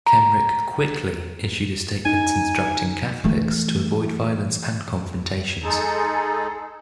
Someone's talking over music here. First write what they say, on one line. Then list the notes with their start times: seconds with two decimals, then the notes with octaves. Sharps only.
Kenrick quickly issued a statement instructing Catholics to avoid violence and confrontations.
0.06 A#5
2.06 D#4 G#5
3.24 E3 A3
5.63 G#3 D#4 G#4 A4